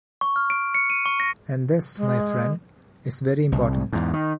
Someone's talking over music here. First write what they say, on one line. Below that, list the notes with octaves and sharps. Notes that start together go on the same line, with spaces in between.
And this, my friend, is very important.
C#6
F6
D7
C#7
D#7
C#6
A#6
G#3
C2
E2 G#2
D#3